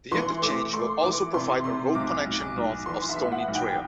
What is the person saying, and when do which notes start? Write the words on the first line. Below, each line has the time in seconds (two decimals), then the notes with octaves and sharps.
The interchange will also provide a road connection north of Stoney Trail.
0.11 E3 C6
0.42 A3 D6
0.73 A3 C6
1.03 E3 D6
1.34 C3 C6
1.64 C3 C6
1.95 B1 D6
2.26 B1
2.40 D6
2.56 B1
2.86 E3 C6
3.09 E5
3.17 A2
3.32 F#5
3.48 B1
3.55 G5